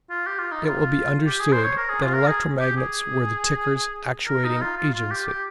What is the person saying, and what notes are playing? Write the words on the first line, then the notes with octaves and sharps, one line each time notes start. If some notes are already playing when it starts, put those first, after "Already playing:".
It will be understood that electromagnets were the ticker's actuating agency.
F4
G4
F4
D#4
F4
G4
G#4
C5
C#5
A#4
G#4
F4
A#4
G#4
G4
G#4
A#4
D#4
F4
F4
F4
G4
G4